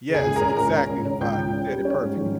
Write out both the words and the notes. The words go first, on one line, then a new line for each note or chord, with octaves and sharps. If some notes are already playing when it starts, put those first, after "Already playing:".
Yes, exactly the vibe, you said it perfectly.
C#3
G#4 G#5
C#2
C#4 A#4 A#5
C#2 A#4 A#5
C#4
C#2
C#4
C#2 G5 G6
C#2
C#4
G3
C#4
G#2
F3